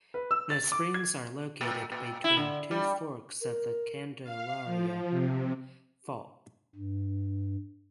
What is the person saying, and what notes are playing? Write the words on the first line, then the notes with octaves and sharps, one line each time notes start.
The springs are located between two forks of the Candelaria fault.
B4
E6
A6
D6
G#6
A#2
A#2
E4
D3
G3
A#4
F5
F3
C3
G2